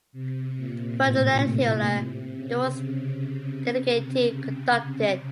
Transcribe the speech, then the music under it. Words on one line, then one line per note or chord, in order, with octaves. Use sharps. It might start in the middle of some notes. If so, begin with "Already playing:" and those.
Ferdinand Hiller, the work's dedicatee, conducted.
C3
A#2
A2
A#2
C3
C3
C#3
C#3